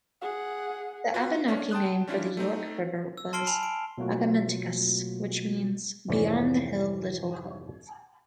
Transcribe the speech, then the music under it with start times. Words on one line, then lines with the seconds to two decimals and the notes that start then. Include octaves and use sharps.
The Abenaki name for the York River was "Agamenticus", which means "Beyond-the-hill-little-cove".
0.22 G#4 F#5
1.14 F4 F#4 B4
1.48 C#4 D4
1.71 G5 A5 C6 D#6 F#6
2.08 G3 C#4 D4 E4 F4
2.37 A3 C4 D#4
3.17 E6
3.33 A5 C6 F6 C7 D7 G7
3.47 G#5 A5 B5 E7 F7
3.63 D7
3.98 B2 F#3 A3 A#3 F4 F#4
6.08 F2 G#2 C3 E3 C#4 D5